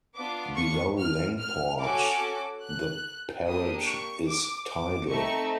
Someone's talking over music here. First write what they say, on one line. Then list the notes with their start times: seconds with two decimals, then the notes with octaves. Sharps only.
Below Langport the Parrett is tidal.
0.16 B3 D4 F4 D6
0.57 C#6
0.98 F6
1.39 F6
1.80 C#4 F#4 A4 D6
2.63 F#6
3.44 A#3 D4 G4 D#6
3.86 C#6
4.27 D6
4.68 D6
5.09 A3 C4 D#4 C#6